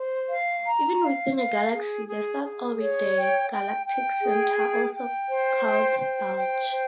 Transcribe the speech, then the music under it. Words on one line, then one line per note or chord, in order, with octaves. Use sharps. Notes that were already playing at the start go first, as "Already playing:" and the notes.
Even within a galaxy, the stars orbit the galactic center, also called bulge.
Already playing: C5
F5
A#5
F5
F5
G#4
G#4
G#4
C#5
G5
G5
G5
G#4
G5
G5
C5
G5
C5
G5
C5